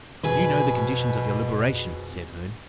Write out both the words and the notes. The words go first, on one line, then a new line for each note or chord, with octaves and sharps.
"You know the conditions of your liberation?" said Herne.
F2 B2 G#4 B4